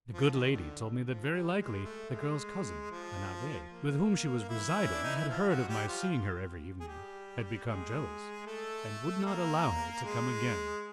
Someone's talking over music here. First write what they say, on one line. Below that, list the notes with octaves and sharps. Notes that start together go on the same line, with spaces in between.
The good lady told me that very likely the girl's cousin, an abbe, with whom she was residing, had heard of my seeing her every evening, had become jealous, and would not allow her to come again.
F3
D#3
D3
F3
G3
G#3
A3
G#3
F3
A#3
E3 E4
C#4
D4
D#4
E4
F3 F4
F#3 F#4
G3 G4
F3 F4
G#4
G3 G4
G#3 G#4
A3 A4
A#3 A#4
G#3 G#4